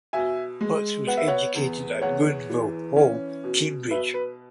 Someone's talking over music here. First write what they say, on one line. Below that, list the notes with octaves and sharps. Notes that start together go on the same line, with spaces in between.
Butts was educated at Gonville Hall Cambridge.
B2 E5 G#5
G#3
B3 F#5
E5
C#5 F#5
E2
E2 C#5 F#5
E3
C#4
B2
B2 B4 E5
B4